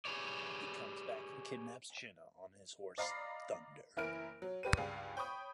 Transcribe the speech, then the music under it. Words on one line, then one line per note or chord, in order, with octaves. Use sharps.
He comes back and kidnaps Jenna on his horse, Thunder.
G4 G#4 B4 C#5 D5
D5 D#5 F5 A#5 B5 C7
F#1 E3 E4 A#4 F6 D7
F#3
G2 G4 B4 D#7
C#2 G2 G3 G#4 F5
C#5 G5 B5 C#6 D#6